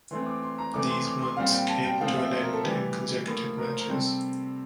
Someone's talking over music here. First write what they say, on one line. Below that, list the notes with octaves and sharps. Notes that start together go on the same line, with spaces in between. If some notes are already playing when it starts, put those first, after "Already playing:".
These runs came to an end in consecutive matches.
E3 A3 C4 C6
D6
C6
A#5
E3 A3 C4 D6
C6
D6
C6
A#2 G3 C4 F5
G5
A5
G5
A#2 F3 A3 C4 F5
E5
C5
A#4
A4
A2 E3 G3 G4
A2 F3 A#3
A#4
C5
A#4
C3 G3 C4 A4